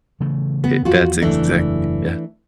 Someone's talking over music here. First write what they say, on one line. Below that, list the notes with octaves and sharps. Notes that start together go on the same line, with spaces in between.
It that's exactly Yeah.
C#3 E3 A3
B3
E2 F3 F4 F#4
F#1 E2 E3 A3 D4